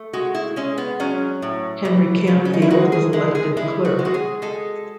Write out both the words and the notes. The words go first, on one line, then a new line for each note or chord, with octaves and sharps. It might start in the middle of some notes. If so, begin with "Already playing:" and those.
Henry Canfield was elected clerk.
Already playing: A3
G#3 F#4
E4
G#3 C#4
B3
F#3 C#4
A2
E3
C#3
C#4
D#4
E4
G#3 F#4
G#4
G#3 E4
G#4
G#3 E4
F#4
G#3
F#4
G#4
G#3 A4